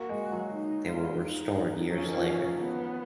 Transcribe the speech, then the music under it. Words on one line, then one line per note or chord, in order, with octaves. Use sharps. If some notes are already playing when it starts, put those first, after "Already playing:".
They were restored years later.
Already playing: A#3 F#4
G#3
F#3
D#4
F4
D#4
F#3 C#4
F3
D#3
F3
B3